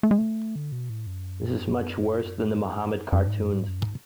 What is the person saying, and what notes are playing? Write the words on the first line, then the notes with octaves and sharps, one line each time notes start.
This is much worse than the Muhammad cartoons.
A3
G#3
A3
D3
B2
A2
F#2
F#2
G#2
F#2
G#2
F#2
G#2